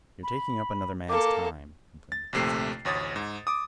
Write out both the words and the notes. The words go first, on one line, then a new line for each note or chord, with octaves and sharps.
"You're taking up another man's time," complained the postmaster.
B5
A#3 A4 D6
A6
A#1 D#2 C3 A3 C7
A1 D2 C#5 D#6 A6
G#2
D6 D#6